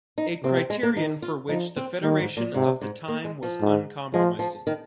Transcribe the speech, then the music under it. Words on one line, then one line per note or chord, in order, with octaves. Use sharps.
A criterion for which the federation of the time was uncompromising.
D#4
C3 C4
C4
G#3
A#3
D#3 D#4
F4
F3 D#4
C4
D#3 A#3
G#2
A#2
G#2 C3
G#2
A#3
G#3
F3
G#2
F3 G#3
F3
D#3